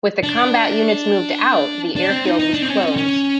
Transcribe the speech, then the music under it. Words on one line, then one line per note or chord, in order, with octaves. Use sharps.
With the combat units moved out, the airfield was closed.
D4
D4
C4
D#4
D#4
D4
C4
C#4
C4
C#4
C#4